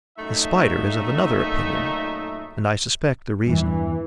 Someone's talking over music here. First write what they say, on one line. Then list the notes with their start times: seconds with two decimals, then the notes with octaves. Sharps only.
The Spider is of another opinion; and I suspect the reason.
0.18 F#2 A#2 A3 D#4 E5
3.47 E2 G2 E3